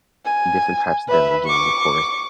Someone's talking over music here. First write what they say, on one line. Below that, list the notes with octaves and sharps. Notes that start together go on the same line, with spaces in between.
different types of denim jeans, of course.
G#5
B4 E5
C#6 D6